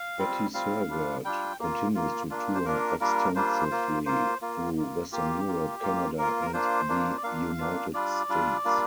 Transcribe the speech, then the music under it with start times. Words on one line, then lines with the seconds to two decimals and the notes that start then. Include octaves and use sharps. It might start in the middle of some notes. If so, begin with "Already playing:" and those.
Bettie Serveert continues to tour extensively through Western Europe, Canada and the United States.
Already playing: F5
0.19 G3 C4 F4
0.54 G3 C4 F4 F5
0.89 G3 D4 F4
1.24 G3 D4 F4 G5
1.60 A#3 F4
1.95 A#3 F4
2.30 A#3 D4 F4
2.55 C5
2.65 A#3 D4 F4 A#4
3.00 G3 A#3 D4 F4 A#4
3.35 G3 A#3 D4 F4 C5
3.71 A#3 F4
4.06 A#3 F4 C5
4.41 A#3 F4
4.77 A#3 F4
5.12 A#3 F4 G4
5.47 A#3 F4
5.82 A#3 F4
6.18 A#3 F4 A#4
6.41 A#4
6.53 A#3 D4 F4 C5
6.89 A#3 D4 F4
7.17 D5
7.23 A#3 D4 F4 F5
7.58 A#3 D4 F4
7.94 G3 D4 F4 D5
8.29 G3 D4 F4
8.65 G3 A#3 D4 F4